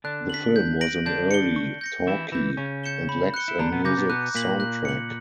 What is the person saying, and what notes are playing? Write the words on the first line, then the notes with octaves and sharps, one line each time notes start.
The film was an early "talkie" and lacks a music soundtrack.
D3 D4 F#6
B6 F#7
G6
A#6 D7 F#7
D3 D4 G6
C#7 G7
C#6
G6 A#6 C#7
E3 E4 C#6
E3 E4 G6 A#6
C#3 C#4 C#6
G6 C#7 E7 G7
B5
F#6 C#7 G7
E4
D3 D4 A#5
B2 B3
C#3 C#4 D6 G6 A#6
B2 B3
B2 B3 F#6
A#2 A#3 B6 F#7
F#6
C#7 F#7